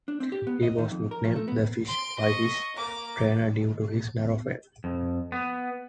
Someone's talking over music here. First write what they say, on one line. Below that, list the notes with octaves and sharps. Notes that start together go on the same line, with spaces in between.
He was nicknamed "The Fish" by his trainer due to his narrow frame.
D4
C4
G4
B3
D#5
D#3
F2
A#4
F3
A3
B3
C6 D7
D#5 C#6
A#3 D6
F2
B3